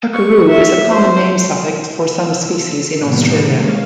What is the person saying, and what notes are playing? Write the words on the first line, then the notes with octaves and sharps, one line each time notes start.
Tuckeroo is a common name suffix for some species in Australia.
C#6
E5
C5
E6
A2 C3 D#3 G3 A#3 B3
G#3 A#3 C#4 F5